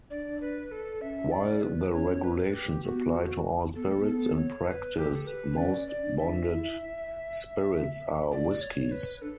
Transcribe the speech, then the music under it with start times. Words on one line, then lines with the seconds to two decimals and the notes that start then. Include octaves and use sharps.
While the regulations apply to all spirits, in practice, most bonded spirits are whiskeys.
0.10 D4 D5
0.41 B4
0.71 A4
1.01 C#4 E5
1.31 D5
1.62 B4
1.93 C#4 C#5
2.24 B4
2.53 G4
2.84 B3 F#4
3.14 F#4
3.75 B3 A4
3.86 A3
3.98 B3
4.06 A4
4.36 C#5
4.67 B4
4.97 G4
5.15 A4
5.27 B4
5.52 B3
5.57 C#4 D5
5.88 D5
6.03 D4
6.18 E5
6.48 E4
8.32 D5
8.61 C#5
8.91 B4
9.22 D4 A4